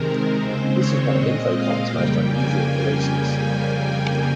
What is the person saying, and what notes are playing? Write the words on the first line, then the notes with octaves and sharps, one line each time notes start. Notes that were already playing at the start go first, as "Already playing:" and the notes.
This was one of Infocom's most unusual releases.
Already playing: C3 D#3 G#3 C4 A#4
D#2 C#3 G#3 C4 C5
C#5
A#2 G#3 C4 D#5
F5
F2 C#3 G3 A#3 G5
G#5